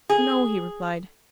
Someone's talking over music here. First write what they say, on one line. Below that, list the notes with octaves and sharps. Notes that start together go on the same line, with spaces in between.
"No," he replied.
G#4